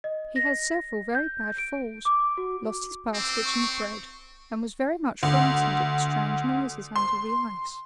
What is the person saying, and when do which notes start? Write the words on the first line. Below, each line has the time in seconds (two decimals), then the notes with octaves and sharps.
He had several very bad falls, lost his basket and bread, and was very much frightened at the strange noises under the ice.
0.04 D#5
0.36 A#6
1.15 G6
1.58 D7
2.05 D6
2.38 F#4
3.15 C4 D6 E6
3.45 C#6
5.23 D2
6.96 C6